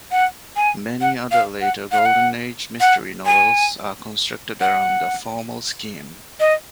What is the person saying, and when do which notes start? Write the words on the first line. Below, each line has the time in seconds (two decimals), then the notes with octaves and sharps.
Many other later Golden Age mystery novels are constructed around a formal scheme.
0.11 F#5
0.56 G#5
1.01 F#5
1.32 F5
1.61 F#5
1.92 F#5
1.98 F5
2.06 F#5
2.80 F#5
3.26 G#5
4.61 F#5
6.40 D#5